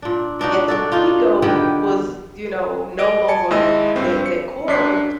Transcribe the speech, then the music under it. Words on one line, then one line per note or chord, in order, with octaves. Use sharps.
And the ego was, you know, no longer t t that that core of it wasn't
A#2 D4
B2 D4 D#4 F#4
D4 F#4 A4
D4 D#4 F4
D3 D#3 B3 G4
D#5 D7
G#5 A5 C#7
D#2 G#3 E4 D#5 E6
G2 C4
C#7
F#2 D4 B6 C7